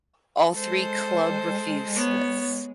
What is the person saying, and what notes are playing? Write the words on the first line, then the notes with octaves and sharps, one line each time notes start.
All three club refused this.
G#3 A4 C5
B3 C#5